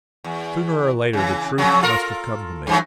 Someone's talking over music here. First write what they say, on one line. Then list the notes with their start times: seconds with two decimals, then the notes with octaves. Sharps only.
Sooner or later the truth must have come to me.
0.24 E2
1.13 C#3 E3
1.58 F2 C#3 F#3
1.82 F4 A4 A#4
2.67 G2 E3 F#3